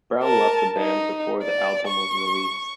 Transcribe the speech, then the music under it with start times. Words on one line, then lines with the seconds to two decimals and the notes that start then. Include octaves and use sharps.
Brown left the band before the album was released.
0.23 A#4 A5
0.78 D#4
1.43 D5
1.87 C#6